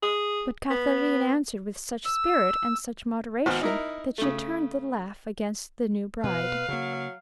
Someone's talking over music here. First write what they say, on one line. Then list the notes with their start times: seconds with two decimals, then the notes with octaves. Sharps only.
But Katharine answered with such spirit and such moderation, that she turned the laugh against the new bride.
0.02 G#4
0.70 B3
2.05 E6
3.46 G#1 B3 C5 F6
3.61 D#4 E4 A#4
4.18 C#3 A3
6.24 B2 B4 F5
6.69 C#3 F#3 A#3